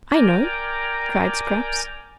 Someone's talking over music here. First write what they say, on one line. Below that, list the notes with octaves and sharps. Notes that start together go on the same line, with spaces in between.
"I know!" cried Scraps.
A#4 D5 G5 G#5 A#5 D6